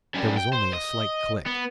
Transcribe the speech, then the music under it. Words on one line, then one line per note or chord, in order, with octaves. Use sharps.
There was only a slight click.
F#2 G3
G5
C5
D#5
B3